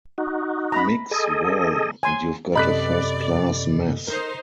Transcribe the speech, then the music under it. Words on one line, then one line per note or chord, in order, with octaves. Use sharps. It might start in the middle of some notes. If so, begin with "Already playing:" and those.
Mix well, and you've got a first-class mess.
D#4 F#4
A#5 B5
G#4 A4 D#5
G#5 C6
F#2 C3 A4 D5 D#5 B5 F#6 B6
D#4 A#4 C5